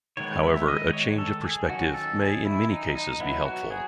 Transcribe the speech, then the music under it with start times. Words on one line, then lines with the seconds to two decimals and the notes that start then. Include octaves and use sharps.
However, a change of perspective may in many cases be helpful.
0.17 D#3 G#3 B3 C#5
0.43 E5
0.68 D#5
0.93 C#5
1.18 A4
1.44 G#4
1.69 D#3 F#3 C#4 F#4
1.94 A4
2.20 G#4
2.45 E4
2.69 D#4
2.95 D#4
3.20 F#3 B3 E4
3.45 F#4
3.70 G#4